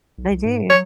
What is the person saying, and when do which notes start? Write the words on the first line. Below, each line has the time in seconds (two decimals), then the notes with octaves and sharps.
They do.
0.18 B1
0.30 C2
0.45 G#2
0.70 F#3 C#5